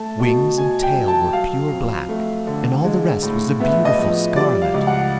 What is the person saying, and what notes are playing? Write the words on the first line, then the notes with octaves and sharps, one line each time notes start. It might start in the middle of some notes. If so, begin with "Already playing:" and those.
Wings and tail were pure black and all the rest was a beautiful scarlet.
Already playing: A3 A5
B2
B2 G#5
G5
F#3
A5
F#3 F5
F2
A3
D3
G#3
A2
B3 E5
D#5
F3
G3 D5
F5
C#2
F#5